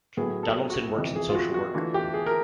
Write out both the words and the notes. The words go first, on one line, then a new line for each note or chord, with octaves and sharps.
Donaldson works in social work.
A2 F#3 B3 G#4
A4
F#4
F2 C3 E3
G#4
F4
F#4
F#4
E3 A3 D4 F4 F#4
G4
G#4
A#4